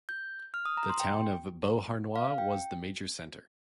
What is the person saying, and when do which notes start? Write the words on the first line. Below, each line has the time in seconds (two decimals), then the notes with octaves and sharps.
The town of Beauharnois was the major centre.
0.09 G6
0.54 F6
0.65 D#6
0.77 A#5
0.89 C6
1.00 G5
2.16 F5
2.38 G5